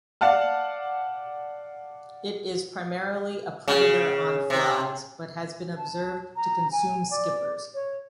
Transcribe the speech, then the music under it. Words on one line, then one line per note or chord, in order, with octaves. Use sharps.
It is primarily a predator on flies, but has been observed to consume skippers.
D5 F5 F#5 A5 F6
C#3
C3
A5
A#5
G#5
D5
C#5